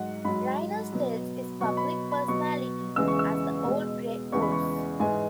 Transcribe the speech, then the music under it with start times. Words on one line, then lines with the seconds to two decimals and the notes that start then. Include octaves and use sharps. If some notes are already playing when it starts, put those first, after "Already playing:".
Rhyner styles his public personality as "The Old Grey Wolf".
Already playing: G#2 F#3 F#5
0.25 G#2 F#3 B5
0.93 B2 F#3
1.60 B2 F#3 C#6
1.77 B5
2.11 B5
2.28 B2 F#3 C#6
2.96 E2 C#3 E3 G#3 E6
3.08 C#6
3.19 E6
3.64 B2 G#3
4.32 E2 C#3 E3 G#3 C#6
4.42 B5
4.52 C#6
5.00 G#2 E3 G#3 G#5